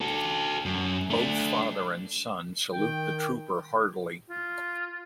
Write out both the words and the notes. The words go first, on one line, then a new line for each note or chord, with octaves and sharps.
Both father and son salute the trooper heartily.
F#4 A4
F#2
A3 D4
D#3 G5
F4